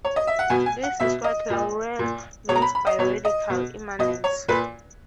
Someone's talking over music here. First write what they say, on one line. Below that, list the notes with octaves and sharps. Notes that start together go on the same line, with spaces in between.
This is what Laruelle means by "radical immanence".
C#5
D#5
E5
F#5
B2 G#5
G#5
F#5
B2 E5
D#5
A#2
A#2
B2 C#5
A#5
B5
B5
D#5
B2 C#5
D#5
B2
B2 D#5
C#5
A#2 B4